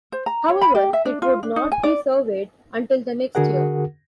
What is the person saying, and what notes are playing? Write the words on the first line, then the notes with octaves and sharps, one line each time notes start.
However it would not be surveyed until the next year.
C5
A#5
C#5
B5
G4
E5
D4
F4
D4
D#4
G#5
D5
D3 F#4 G#4 A#4 F#5